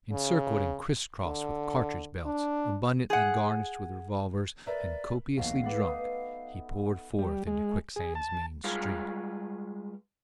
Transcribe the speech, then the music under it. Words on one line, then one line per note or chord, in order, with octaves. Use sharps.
Encircled and criss-crossed with cartridge belts, abundantly garnished with revolvers, and copiously drunk, he poured forth into Quicksand's main street.
C#3
D3
D4
G#4 F#5
A#4 B4 D5 E5
B1 E2 A#2 A3 F#4 F5 G#5
G#3 B3 D5 E5 F#5
D#4 B4 D#6
G3
G#3
G#4
A5
G3 G#3 F4 G#4 B4 F5